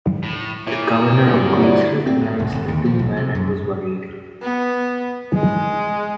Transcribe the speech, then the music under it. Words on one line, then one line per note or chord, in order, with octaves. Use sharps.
The Governor of Greece recognised the two men and was worried.
A2
A#2 E4 C#5
C2 G2 D3 F#3
E4 F#4 D5
C4
G#2
E1
G1
D#2
F3
B1
C3
F#2
B3
G#3